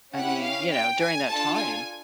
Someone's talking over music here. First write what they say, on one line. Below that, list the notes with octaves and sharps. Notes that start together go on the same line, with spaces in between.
I mean, you know, during that time.
C#4 E4 G4 F#5
F5
G5
G#5
D4 F4 A4 A5
G#5